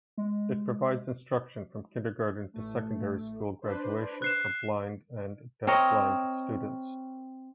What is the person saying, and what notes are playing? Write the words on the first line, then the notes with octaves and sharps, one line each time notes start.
It provides instruction from kindergarten to secondary school graduation for blind and deafblind students.
G#3
A1 A3
D4 B4 C5
F#6 C7 E7
C4 A#4 C#5 D#5